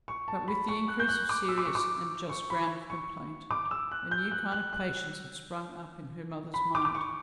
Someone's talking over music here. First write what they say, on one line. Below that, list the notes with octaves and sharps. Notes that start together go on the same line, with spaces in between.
But with the increase of serious and just ground of complaint, a new kind of patience had sprung up in her mother's mind.
C#6
A5
B5
C#6
F#6
G6
F#6
D6
E6
D6
C#6
D6
C#6
B5
C#6
D6
E6
F#6
G6
F#6
F#6
F#6
B5
D6
D6
C#6